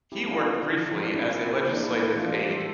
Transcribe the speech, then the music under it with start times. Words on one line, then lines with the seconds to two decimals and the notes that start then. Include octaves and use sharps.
He worked briefly as a legislative aide.
0.12 C4 E4 G4
0.28 D4 F4
0.37 C4
0.46 E4
0.63 D3 D4
0.88 F3
1.06 D4
1.14 C4 E4
1.31 E4
1.39 C4
1.48 E4
1.65 A#3 D4
1.82 E4
1.91 A#3
2.00 E4
2.16 E3 D4 F4
2.33 G4 A#4
2.41 G3
2.50 A4 C5